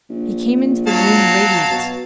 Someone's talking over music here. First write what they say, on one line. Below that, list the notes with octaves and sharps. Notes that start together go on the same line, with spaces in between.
He came into the room radiant.
A#1
F#3 F5 A5
B2